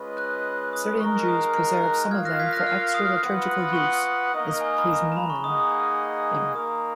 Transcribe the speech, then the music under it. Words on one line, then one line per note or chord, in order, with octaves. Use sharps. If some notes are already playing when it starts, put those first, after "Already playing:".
Syrian Jews preserve some of them for extra-liturgical use as pizmonim.
Already playing: G#3 C#4 F4 B4 D#5
F#6
D#6
G#3 D#4 A#4 F5 C#6
D#6
F6
F#6
F4 A#4 F5 F6 G#6
F#6 A#6
G#6 B6
F#6 A#6
F6
D#6
B3 F4 B4 F#5
C#6
D#6
D#6
A#3 D#4 A#4 D#5 D#6
G#5
B5
A#5
A#5
B5
C#6
A#3 D#4 G#4 D#5 F#5 D#6
A#3 D#4 A#4 D#6